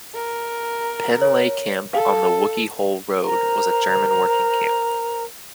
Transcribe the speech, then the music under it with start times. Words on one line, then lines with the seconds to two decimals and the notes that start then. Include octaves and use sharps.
Penleigh Camp on the Wookey Hole Road was a German working camp.
0.14 A#4
1.21 C#5
1.94 A4 F5
3.22 A#4 C5 A#5